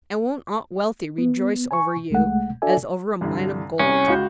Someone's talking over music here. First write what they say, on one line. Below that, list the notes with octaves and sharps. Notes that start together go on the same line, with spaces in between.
"And won't Aunt Wealthy rejoice over you as over a mine of gold!"
B3
G#5 C#6
C2 G#3 A3 F#5
D4 F#4 A4 D5 E5 G#5
C2 G2 D3
C2 C#4
C#2 F#4 G6